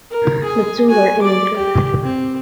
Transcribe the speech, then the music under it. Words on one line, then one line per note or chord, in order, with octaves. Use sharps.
The two were Engr.
A#4
G#4 G#5
F#4 G#5
D5 D6
G4
C4